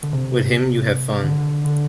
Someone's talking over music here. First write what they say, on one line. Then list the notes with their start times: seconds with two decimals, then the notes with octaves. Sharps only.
With him, you have fun.
0.03 D3
0.13 C3
1.24 D3
1.38 D3
1.65 D3